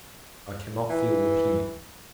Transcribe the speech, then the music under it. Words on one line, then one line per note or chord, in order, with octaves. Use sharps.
I cannot feel the pen.
E3